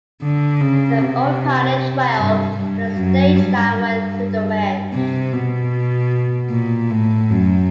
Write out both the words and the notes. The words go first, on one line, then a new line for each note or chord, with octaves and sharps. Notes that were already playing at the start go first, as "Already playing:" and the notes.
The old pioneer trail and the stage line went through their ranch.
D3
C#3
C3
G2
G2
F#2
G2
G2
C3
B2
A#2
A2
F#2